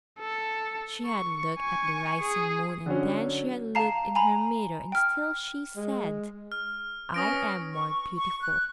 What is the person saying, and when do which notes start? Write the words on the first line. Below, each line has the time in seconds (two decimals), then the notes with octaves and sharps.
She had looked at the rising moon, and then she had looked in her mirror and still she said, "I am more beautiful."
0.20 A4
1.06 C#6
1.60 G#5 C#6
2.21 G#4
2.86 D3 F#3 C#4
3.75 F5 A5 A#5 C7
4.15 G#5 A#5 B5
4.92 G5 F6
5.76 G#3
6.52 F6
7.14 C#4 B4 D#6 A#6 D7
7.72 C#6
8.15 C#6
8.41 F#6